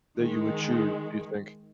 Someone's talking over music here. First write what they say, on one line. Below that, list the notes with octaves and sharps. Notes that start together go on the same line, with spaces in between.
that you would choose, do you think?
D#3 G#3